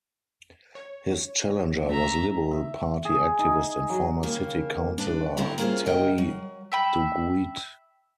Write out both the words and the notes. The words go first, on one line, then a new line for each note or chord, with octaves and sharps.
His challenger was Liberal Party activist and former city councillor Terry Duguid.
C#5
A3 E5 A#5
E5
G#4
D#4
F#3
D#2 C#3 A#3
D4 B4
G2 D3 C4 E4 A#5
A#3 C#4 F4 G4 G#4 C5
C#3 A#4 D#5 E5 F#5 G5
F#3
E5 G5 B5